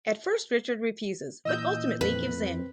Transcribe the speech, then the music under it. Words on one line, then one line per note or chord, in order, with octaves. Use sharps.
At first Richard refuses but ultimately gives in.
A#2 E3 D#5 E6 G6
F2 B4
C4